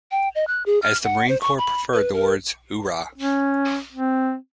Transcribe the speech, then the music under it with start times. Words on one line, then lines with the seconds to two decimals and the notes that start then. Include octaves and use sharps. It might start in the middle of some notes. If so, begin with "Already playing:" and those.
As the Marine Corps preferred the word Oohrah!
0.11 G5
0.35 D#5
0.47 F#6
0.66 G#4
0.82 F6
1.04 F#5
1.29 C5
1.41 C#6
1.58 B5
1.93 B4
2.14 A#4
3.18 C#4
3.92 C4